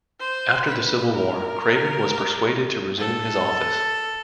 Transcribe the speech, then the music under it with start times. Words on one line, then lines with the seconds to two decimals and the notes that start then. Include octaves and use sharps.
After the Civil War, Craven was persuaded to resume his office.
0.20 C5
0.66 B4
1.12 A#4
2.98 A4